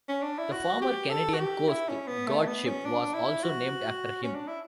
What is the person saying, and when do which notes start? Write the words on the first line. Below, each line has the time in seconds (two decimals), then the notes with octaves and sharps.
The former Canadian Coast Guard Ship was also named after him.
0.09 C#4
0.23 D4
0.38 E4
0.52 F#4
0.82 G4
1.10 A4
1.33 F#4
1.40 G4
1.68 E4
1.89 C#4
2.08 B3
2.27 A3
2.47 B3
2.66 C#4
2.86 D4
3.14 E4
3.43 F#4
4.23 C#4
4.35 D4
4.48 E4